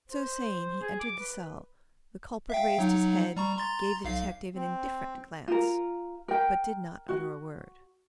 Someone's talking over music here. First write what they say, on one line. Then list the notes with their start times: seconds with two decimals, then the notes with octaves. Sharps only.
So saying he entered the cell, the culprit raised his head, gave the detective an indifferent glance, but did not utter a word.
0.09 C5
0.82 G#4
1.00 D6
1.19 B4
2.50 E5 F5 G5
2.78 F#3 D#4 F#5
3.37 G3 A#5 C#6
3.57 A#5 C6 A6
4.04 B1 F5 C7
4.55 C4
5.48 F4 A#4
6.28 A#4 G5
7.09 F#4